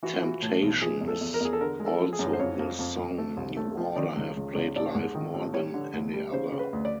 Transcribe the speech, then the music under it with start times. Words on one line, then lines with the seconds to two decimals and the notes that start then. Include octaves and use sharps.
"Temptation" is also the song New Order have played live more than any other.
0.03 E3 F#4
0.14 F4
0.22 E3 F#4
0.42 A2
0.62 B1
0.82 F3 G#4
1.01 E2
1.08 A4
1.21 E2
1.34 A#4
1.40 E2 G#4
1.53 A4
1.61 D3 A#4
1.80 G#3
1.86 A4
1.99 F3
2.13 G#4
2.19 F#2
2.33 C5
2.39 F2 C#5
2.59 F2
2.79 F2
2.98 F2
3.18 A3
3.37 C2
3.57 A3
3.77 F3
3.96 D#3 D5
4.17 C#2
4.37 C#2
4.55 C#2
4.76 A1 D5
4.95 G#2
5.15 D#3
5.34 A1
5.54 G3 C#5
5.74 D3
5.93 D2
6.14 G3
6.32 C#3 C5
6.52 C#3
6.59 B4
6.73 D2
6.85 D5